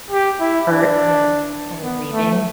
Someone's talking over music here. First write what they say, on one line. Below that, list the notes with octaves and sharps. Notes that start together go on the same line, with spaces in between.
hurt and and grieving,
G4
E4
D4
B3
A3